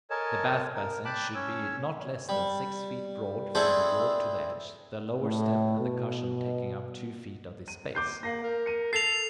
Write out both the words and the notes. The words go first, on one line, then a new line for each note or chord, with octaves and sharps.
The bath basin should be not less than six feet broad from the wall to the edge, the lower step and the "cushion" taking up two feet of this space.
A4 A#4 C#5 D#5 G#5 A5
A#4
G5 A5 B5 D6 F#6
C#4 C#5 E6
G3
C4 D4 E4 G#4 A4 C5
A2
B2
D#7
D6 G6 C7
A#3 A#6 C7
A#4
C#7 D#7
A4 A6 C7 F7